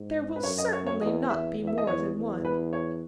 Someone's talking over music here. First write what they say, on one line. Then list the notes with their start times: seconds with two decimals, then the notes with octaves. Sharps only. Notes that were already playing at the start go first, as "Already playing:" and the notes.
There will certainly not be more than one.'
Already playing: G#2
0.36 B4
0.43 F#2 C#5
0.58 D#5
0.73 C#5
0.87 C#5
1.01 E2 D#5
1.29 E2 E5
1.58 E2
1.67 E5
1.78 D#5
1.87 E2 C#5
2.16 E2
2.45 B4
2.73 C#5